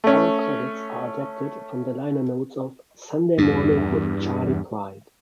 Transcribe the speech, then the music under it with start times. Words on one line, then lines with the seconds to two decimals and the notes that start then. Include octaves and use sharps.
All credits are adapted from the liner notes of "Sunday Morning with Charley Pride".
0.04 A3 C#4
3.38 E2 G2